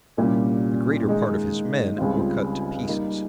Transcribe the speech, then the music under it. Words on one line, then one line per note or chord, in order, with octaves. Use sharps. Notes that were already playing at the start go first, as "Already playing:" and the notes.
The greater part of his men were cut to pieces.
C2 A#2 G3 C#4
D#3 G#3 D#4
C#2 C#3 G3 C4 F4
G3 A#3 D#4 A#4